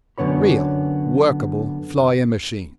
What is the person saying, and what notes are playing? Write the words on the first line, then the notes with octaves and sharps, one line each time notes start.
Real, workable, flying machines.
F#2 D3 B3 C#5 B5